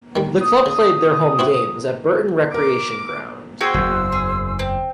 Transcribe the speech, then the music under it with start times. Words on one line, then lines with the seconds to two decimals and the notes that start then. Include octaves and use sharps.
The club played their home games at Burton recreation ground.
0.16 D#3 G3
0.41 D#6
0.66 C#3
1.39 C4 E4 F#4
2.54 A#4 D6
3.61 F#4 G#4 C5 G5 E6
3.74 F#1 E2
4.12 G#4
4.59 C4